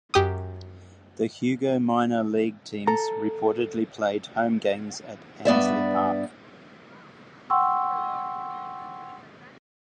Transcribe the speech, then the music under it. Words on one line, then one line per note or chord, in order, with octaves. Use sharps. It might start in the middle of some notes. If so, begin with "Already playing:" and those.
The Hugo minor league teams reportedly played home games at Ansley Park.
F#2 G4 D#6
A4 A#5
G2 B3 D5 E5
F#5 G5 C6 C#6 E6